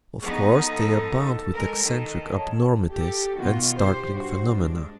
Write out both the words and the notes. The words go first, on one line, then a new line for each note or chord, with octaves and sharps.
Of course, they abound with eccentric abnormities and startling phenomena.
F3 B3 D#4 G#4 C#6
A4
G#3 A#4
D#3
C#5 A5
G4 A4
B2 D#3 F4 F#4
G4 C5
G2 F#4 C5
G#3 D4